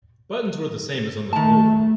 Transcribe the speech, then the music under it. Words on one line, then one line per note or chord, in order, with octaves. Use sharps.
Buttons were the same as on the dolman.
D#3 A3 A5